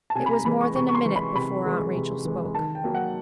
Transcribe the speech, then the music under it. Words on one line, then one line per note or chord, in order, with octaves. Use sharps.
It was more than a minute before Aunt Rachel spoke.
A5
C3 G#5
B5
A#5
E3 G#3 B5
C#6
C3 C#6
C#6
C6
E3 G#3
B5
C3 B5
E3 G#3
C3
E3 G#3
D#3 A5
G5
F#3 A#3
F#5